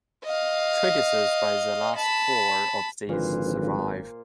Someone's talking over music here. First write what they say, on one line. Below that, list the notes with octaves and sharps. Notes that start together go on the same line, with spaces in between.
Treatises by the last four of these survive.
D#5 F5
A5 B5
G#1 A#2 D3 F3 B4 C5